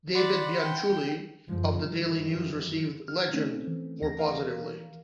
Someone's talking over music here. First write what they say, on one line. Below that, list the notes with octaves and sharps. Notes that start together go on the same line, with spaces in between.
David Bianculli of the Daily News received "Legend" more positively.
D5 F#5 B5 C6
G5
F#2 D3 F3 G#3
G2 D#3 E3 F#3
F6
A3 C4 C#4 D#4
E3
D#2 A#6
A#4 F5